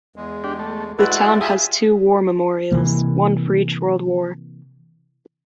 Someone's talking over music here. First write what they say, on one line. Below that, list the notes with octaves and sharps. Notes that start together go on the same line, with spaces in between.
The town has two war memorials, one for each world war.
E2 G#3
D4 G4
A3
G#3 A3 E4 F#4 B4 D5
F4 G4 G#4 E5 D#6
C3 E3 A#3